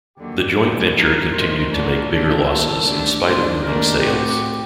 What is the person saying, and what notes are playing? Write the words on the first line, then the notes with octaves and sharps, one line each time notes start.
The joint venture continued to make bigger losses in spite of booming sales.
D#2 D3 F#3 G4
F#2 D3 A3
D#3 G3 D4 A#4
G2 D#3 A3 D#4 C5
A2 A3 D4 F#4 A#4
A#2 A3 D4 G4 A4
D#2 D#3 G3 A#3
D3 A3 D4 G4
A#2 G3 D4 G4 C5
D#2 D#3 A3 D4 G4 A#4
A2 A3 C4 F#4 G4